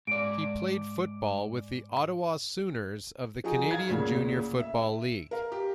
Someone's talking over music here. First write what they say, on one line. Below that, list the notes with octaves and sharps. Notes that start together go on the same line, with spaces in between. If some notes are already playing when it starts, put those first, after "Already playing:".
He played football with the Ottawa Sooners of the Canadian Junior Football League.
G#2 D5 D7
F3 D#4 F#4 G#4
F5 G#6
D2 A#2 C#3
E5
A#4 F5
G4